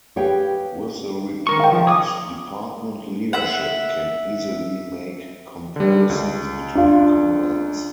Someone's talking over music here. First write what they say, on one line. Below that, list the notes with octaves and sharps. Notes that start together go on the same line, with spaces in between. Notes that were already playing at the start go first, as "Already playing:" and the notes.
With the report, department leadership can easily make comparisons between commands.
G4 G#4 B4 C#5 F5 G5
D#3 A#4 C#6
F5 G5
F3
G#4 D6 D#6
E5 F#5
D3 G3
C#2
D4 F4